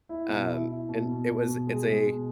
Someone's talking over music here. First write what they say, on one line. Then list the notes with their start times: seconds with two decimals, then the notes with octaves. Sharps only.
Um, and it was it's a
0.09 E4
0.29 B2
0.49 E4
0.68 E4
0.89 B2
1.08 B2
1.27 B2
1.48 B2
1.67 G#3
1.87 G#3
2.07 B2